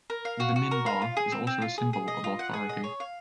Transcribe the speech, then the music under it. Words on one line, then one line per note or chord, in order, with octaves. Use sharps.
The minbar is also a symbol of authority.
A#4
F5
F#4
F#4
A#4
F5
F4
G#4
C4
C4
F4
G#4
G#4
D#5
F4
F#5
G#4
D#5
C#5
F5